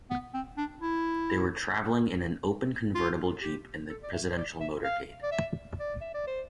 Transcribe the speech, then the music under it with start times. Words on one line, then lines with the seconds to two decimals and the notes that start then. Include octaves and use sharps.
They were traveling in an open convertible jeep in the presidential motorcade.
0.10 B3
0.34 C4
0.57 D4
0.81 E4
2.95 F4
3.41 G4
3.89 A4
4.02 D5
4.13 E5
4.32 C5
4.37 D5
4.60 E5
4.84 F5
5.23 D5
5.31 E5
5.80 D5
6.01 E5
6.14 D5
6.27 C5